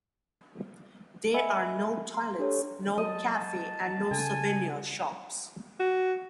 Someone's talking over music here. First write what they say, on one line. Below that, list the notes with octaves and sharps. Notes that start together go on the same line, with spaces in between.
There are no toilets, no cafe and no souvenir shops.
D#5 E5 G#5 B5 E6
C6
D4 G4 A4 C#5
F#3 D#5 A5
C#3 A4 G#5
F#4